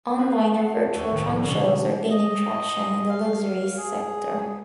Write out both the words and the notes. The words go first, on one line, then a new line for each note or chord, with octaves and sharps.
Online or virtual trunk shows are gaining traction in the luxury sector.
F4 G#4 B4 F5
F#5 A5 C7
D#2 A4 G#5 C#6 D#7
C2 A2 D#3
A#1
B2 D3 E3 G#3 C#4 D4
D#5
F5
G#4